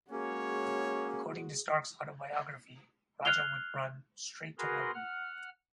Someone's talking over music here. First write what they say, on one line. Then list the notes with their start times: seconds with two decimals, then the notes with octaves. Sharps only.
According to Stark's autobiography, Rajah would run straight toward me.
0.11 G#3 A#3 C#4 F#4 G#4 C#5
3.25 F6 F#6 G#6 C7 F7 G7
4.58 F#4 G#4 A#4 B4 A#5 C6
4.94 F#5 F6